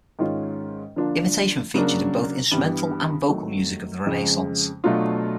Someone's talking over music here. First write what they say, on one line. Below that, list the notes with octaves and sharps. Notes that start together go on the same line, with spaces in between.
Imitation featured in both instrumental and vocal music of the Renaissance.
G#2 D#3 G#3 C#4 F4
D3 F3 A#3 D4 F4
C#3 F#3 A#3 D4
G2 E3 G3 B3
D#3 F#3 A3 C4
F2 C#3 F3 G#3
B2 F#3 A3 D4 F4